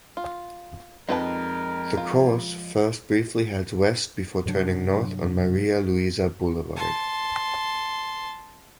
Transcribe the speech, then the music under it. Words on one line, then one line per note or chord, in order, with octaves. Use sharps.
The course first briefly heads west before turning north on Maria Luiza Boulevard.
F4
F2 F3 G#3 D#4 A#4 B4 D#5 A5
F4
G2 C3 F#3 D4
A5 C6